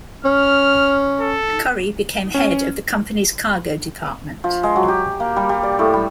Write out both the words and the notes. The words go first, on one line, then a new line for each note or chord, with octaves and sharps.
Currie became head of the company's cargo department.
C#4 F6
A4
C#4
F3
G#3
F#3
G4
A#3
G3
G3
D5
A2
G3